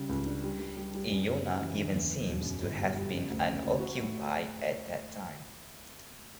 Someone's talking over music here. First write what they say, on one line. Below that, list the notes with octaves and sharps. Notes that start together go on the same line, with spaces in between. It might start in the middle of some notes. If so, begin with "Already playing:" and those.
Iona even seems to have been unoccupied at that time.
Already playing: C#3 G3
C#2
D4
G3
G3
G3
G3
F#2
F#2
C#3
E3
D3
E2
D3
E1
F#2
G1
G3
G3
C#3
D2
C#3
D2
F#4
A2